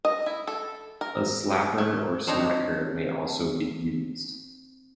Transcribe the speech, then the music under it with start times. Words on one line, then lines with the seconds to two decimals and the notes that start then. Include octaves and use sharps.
A slapper or smacker may also be used.
0.05 D#5
0.26 E4
0.47 A4
1.01 A#4
1.78 A3
2.27 C4 D4 D#4 C#5 A#5